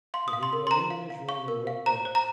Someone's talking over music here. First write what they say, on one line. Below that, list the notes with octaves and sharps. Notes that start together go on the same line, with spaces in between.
So he went into his room and wept there.
F5 C6
D#6
F5
C6
A#4
C6
C5 A#5
F5
F5
F5 C#6
A#4
F5
C5 A#5
C5
A#5